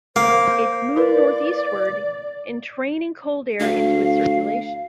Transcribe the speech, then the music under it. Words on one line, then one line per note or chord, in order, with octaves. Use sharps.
It moved northeastward, entraining cold air into its circulation.
A#3 C5 F5
E4 A#4 B4 D5
D2 F5